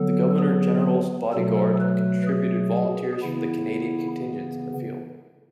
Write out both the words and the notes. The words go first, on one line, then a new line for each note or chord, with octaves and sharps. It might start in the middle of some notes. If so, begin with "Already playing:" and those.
The Governor General's Body Guard contributed volunteers for the Canadian contingents in the field.
Already playing: D3 F#3 B3 A4
G#4
B2 F#3 A3 A4
B4
G#4
C#3 E3 B3 E4